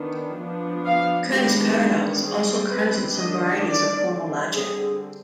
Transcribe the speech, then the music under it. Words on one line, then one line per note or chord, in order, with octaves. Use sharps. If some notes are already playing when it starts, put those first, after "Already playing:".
Curry's paradox also occurs in some varieties of formal logic.
Already playing: D#3 B3 D4
F3 B3 D4
F5
D#3 G#3 B3 D4 G4
G3 C4 G#4
B4
D#3 G3 D4 D#5
D5
D3 G3 C4
G#4